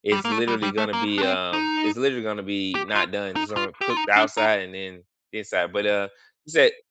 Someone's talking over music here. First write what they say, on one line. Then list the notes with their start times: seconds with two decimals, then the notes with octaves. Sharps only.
it's literally gonna be, um, it's literally gonna be not done. It's gonna cook the outside and then inside. But, uh, she said
0.12 G3
0.25 A#3
0.32 A3
0.48 G3
0.63 G3
0.78 A3
0.93 A#3
1.18 D4
1.23 C4
1.53 D#4
2.75 G4
2.95 F4
3.36 D#4
3.57 F4
3.81 G4
3.90 F4
3.97 D#4
4.16 D4
4.37 D#4